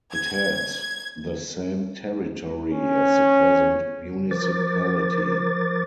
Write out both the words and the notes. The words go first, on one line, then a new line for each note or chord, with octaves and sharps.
It had the same territory as the present municipality.
G#6
C#4
F3 A#4 C5 D6 A6